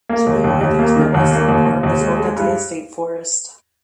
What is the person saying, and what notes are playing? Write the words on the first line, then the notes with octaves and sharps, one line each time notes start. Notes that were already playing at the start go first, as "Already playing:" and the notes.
To the north and to the west of the park is Orkadilla State Forest.
A#3
D#2
D#2
D#2
A#3
D#3
D#2
A#3
D#2
D#2
D#2
G#3
G#3
G2